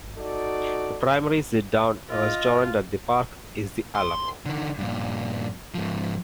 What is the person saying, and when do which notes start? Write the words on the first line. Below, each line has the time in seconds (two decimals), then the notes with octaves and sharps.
The primary sit-down restaurant at the park is the Alamo.
0.17 D#4 F#4 A4 D5
2.11 F4 D#5
3.95 C6
4.46 D3 D#3
4.79 G2 A#2
5.74 G#2 F3